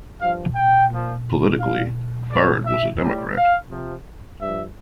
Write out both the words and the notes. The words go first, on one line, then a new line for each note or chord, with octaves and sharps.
Politically, Bard was a Democrat.
G2 F3 F5
G5
A#2 F3
A#2 G3 F5
G2 D3 F3 D5
E5
A2 G3
F5
C3 F3
G2 F3 E5